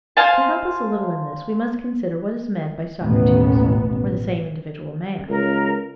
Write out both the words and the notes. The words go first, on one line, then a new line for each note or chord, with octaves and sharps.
To help us a little in this, we must consider what is meant by Socrates, or the same individual MAN.
C5 F5 G#5 A5
A1 D#2 B2 B3
C#2 A#4